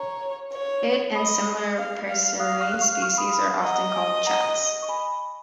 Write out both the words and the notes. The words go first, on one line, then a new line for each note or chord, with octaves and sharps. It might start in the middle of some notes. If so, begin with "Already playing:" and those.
It, and similar passerine species, are often called chats.
Already playing: C#5 A#5 C#6
C#5
D#5 B5 D#6
F5
F5
F5 D#6 F#6
C#6 F6
F#6
C#6 F6
C#6 F6
B5 D#6
B5 D#6
D#5 F#5 A#5
G#5
F#5 A#5
C#6
G#5 B5